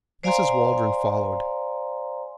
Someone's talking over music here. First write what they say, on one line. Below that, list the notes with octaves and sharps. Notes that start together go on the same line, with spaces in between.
Mrs. Waldron followed.
C5 D5 F5 G#5 A#5 C6